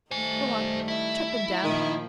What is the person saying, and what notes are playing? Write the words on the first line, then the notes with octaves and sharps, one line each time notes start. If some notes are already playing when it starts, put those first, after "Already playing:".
Go on! Chuck them down!
D#3 G3 A3 C5 G#5
E4 E5
A#2 D#3 F3